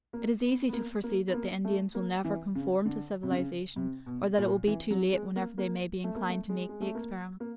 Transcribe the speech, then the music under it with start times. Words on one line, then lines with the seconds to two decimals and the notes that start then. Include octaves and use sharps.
It is easy to foresee that the Indians will never conform to civilization; or that it will be too late, whenever they may be inclined to make the experiment.
0.13 A#3
0.44 B3
0.69 B3
0.73 A#3
1.04 A#3
1.28 B3
1.34 A#3
1.65 A3
1.95 A#3
2.24 E3
2.55 C#3
2.85 D3
3.23 C3
3.31 C#3
3.76 C3
4.06 B2
4.38 A#2
4.67 E3
4.91 F#3
5.13 G#3
5.36 A#3
5.58 A#3
6.04 A3
6.16 A#3
6.29 A3
6.49 G#3
6.69 G#3
6.81 A3
6.95 A#3
7.40 A#3